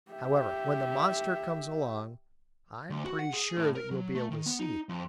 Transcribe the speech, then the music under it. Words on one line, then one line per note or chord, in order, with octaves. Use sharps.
However, when the monster comes along, I am pretty sure that you will be able to see it.
G4 E5
D2
F#4
F#5
G#4
A2
A#4
F#3
A3
D#3
B3
D#4
F2